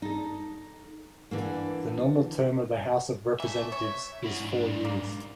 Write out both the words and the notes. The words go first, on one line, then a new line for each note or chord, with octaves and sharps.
The normal term of the House of Representatives is four years.
D#4 A4
D3 E3 A#3
E3 A3 E5
C#5
E4 F#5
G#2 D4
A#3